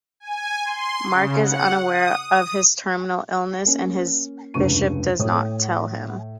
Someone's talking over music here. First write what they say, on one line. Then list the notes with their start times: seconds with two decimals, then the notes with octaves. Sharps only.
Mark is unaware of his terminal illness and his bishop does not tell him.
0.20 G#5
0.64 C6
1.08 C#3
1.40 F#5
1.86 D#6
2.28 D#6
3.66 A#3 C#4
4.54 F1 C#2 G2 C#6 D#7
5.19 A2 C#5 D#6